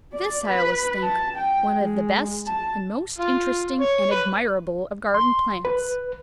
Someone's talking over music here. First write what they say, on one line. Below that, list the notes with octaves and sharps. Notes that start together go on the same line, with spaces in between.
This I always think one of the best and most interesting and admirable of garden-plants.
D5
B4
A5
G5
G#3
A5
F4
C#5
B4
C6
B4